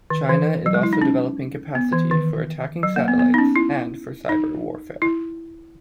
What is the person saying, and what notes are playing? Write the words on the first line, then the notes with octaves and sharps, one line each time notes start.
China is also developing capacity for attacking satellites and for cyberwarfare.
D#3
E3
F#3
G#3
E4
D#4
C#4
B3
E3
D#3
F#3
A#3
B3
B3
D#4
C#4
E4
D#4
E4